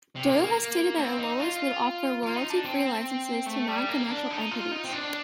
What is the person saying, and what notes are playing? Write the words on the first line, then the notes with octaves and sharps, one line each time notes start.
Doyle has stated that Eolas would offer royalty-free licenses to non-commercial entities.
C3
A#3
A#3
C4
D#4
F4
F4
D#4
D4
C4
A3
G3
A#3
D4
D#4
F4
D#4
C4
D4